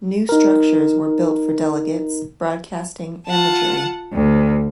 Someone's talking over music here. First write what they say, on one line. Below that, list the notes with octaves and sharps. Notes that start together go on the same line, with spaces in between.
New structures were built for delegates, broadcasting and the jury.
D#4 A#4
F4 F#5 A5
D2